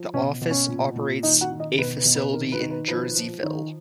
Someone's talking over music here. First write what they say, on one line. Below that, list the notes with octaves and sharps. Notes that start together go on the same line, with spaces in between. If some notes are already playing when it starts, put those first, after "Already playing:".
The office operates a facility in Jerseyville.
Already playing: F3
B2 C#4 C#5
B2
C#4 C#5
A#2
A#2
D#3 D#4 D#5
F#4 F#5
D#3
D#4 D#5
B2 B4
B4
B2
B4
D#3 A#4
B4
D#3
B4
F3 B4
F3
D#3